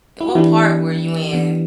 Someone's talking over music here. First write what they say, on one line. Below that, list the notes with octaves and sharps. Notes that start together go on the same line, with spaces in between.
What part were you in?
E4
F#4
E3 B3 D4 E4 G4
E3 B3 D4